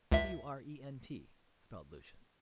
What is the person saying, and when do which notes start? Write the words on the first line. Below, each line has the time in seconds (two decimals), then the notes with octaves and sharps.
"W-r-e-n-t!" spelled Lucian.
0.12 C#2 E5